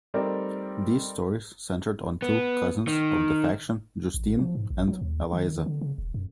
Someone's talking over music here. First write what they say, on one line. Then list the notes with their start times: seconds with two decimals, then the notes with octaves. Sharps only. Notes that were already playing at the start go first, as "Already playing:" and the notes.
These stories centred on two Cousins of the Faction, Justine and Eliza.
0.14 G3 A3 C4 D#4 A#4 D5
2.22 B3
2.88 D#3
4.14 A1
4.39 F3
4.55 G#2
4.70 A1
4.88 F#3
5.01 D#2
5.32 D#3
5.66 D3
5.81 C#3
5.98 E1
6.14 F#2